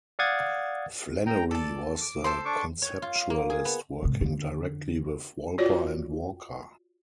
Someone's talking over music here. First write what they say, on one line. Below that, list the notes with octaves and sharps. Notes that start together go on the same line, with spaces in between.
Flannery was the conceptualist working directly with Wolper and Walker.
D5 F5 F#5 D#6 G#6 A6
G5 A#5
A4 D5 A5
D6
A4 C5 C6
D4 C#6 D6
C#5
F4
F5
A#3
G#4
B3
G#2 C3
F2 D3
F4 F#4 C#5 D5